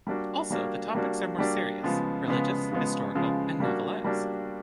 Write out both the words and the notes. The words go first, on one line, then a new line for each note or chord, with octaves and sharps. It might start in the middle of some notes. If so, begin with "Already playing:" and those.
Also the topics are more serious: religious, historical and novelesque.
G3 A#3 D4 F#4
G3 A#3 D4 F#4
G3 A#3 D4 F#4
G3 A#3 D4 F#4
C#3 F3 G#3 B3
C#3 F3 G#3 B3
C#3 F3 G#3 B3
C#3 F3 G#3 B3
G3 A#3 D4 F#4
G3 A#3 D4 F#4